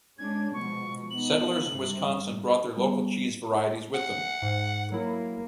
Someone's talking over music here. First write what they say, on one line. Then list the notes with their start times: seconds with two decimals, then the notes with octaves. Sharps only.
Settlers in Wisconsin brought their local cheese varieties with them.
0.18 G#3 C#4 D4 G#6
0.53 B2 F3 G#3 C#6
1.11 B3 D#4 F#7
1.69 G2 C3 G3
2.77 G3 B3
3.94 F#5
4.42 G#2
4.92 F#3 A#3 E4